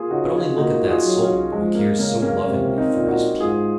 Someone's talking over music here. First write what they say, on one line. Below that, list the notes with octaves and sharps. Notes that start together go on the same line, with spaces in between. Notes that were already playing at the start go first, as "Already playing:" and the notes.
But only look at that Sultan who cares so lovingly for his people.
Already playing: A#3 F4 G#4
C#3 D#4 F#4
F4 G#4
A#3 D#4 F#4
F#4
F4 G#4
F#3
C#4 F4
F3 G#3
A#3
C#3 A#3
A#3 C#4
C3
C4 D#4
A#2
D#4 F#4
G#2 F4 G#4